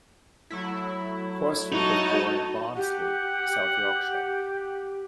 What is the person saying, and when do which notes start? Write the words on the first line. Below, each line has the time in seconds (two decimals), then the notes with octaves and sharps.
Horsfield was born in Barnsley, South Yorkshire.
0.51 F#3 A3 E4
1.72 D#4 F#4 A5
2.76 G4 F#5